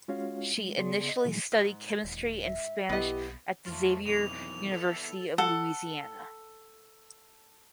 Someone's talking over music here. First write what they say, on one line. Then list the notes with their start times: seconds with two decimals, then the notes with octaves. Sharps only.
She initially studied chemistry and Spanish at the Xavier University of Louisiana.
0.08 G#3 C#4 F4 F#4 C#5 F5
0.58 G#3
0.77 C#3 B3 G#4 D5 C6
1.09 D#5
1.25 A#2 D#3 E3 F#3 G#3 A3
1.52 G#2
2.04 D#1
2.43 E5
2.89 B1 B3 E4 G4 D#5
3.67 F2 A3 F4
4.06 B1 E3 F7
4.72 B3 E4 A4
5.38 A4 F#5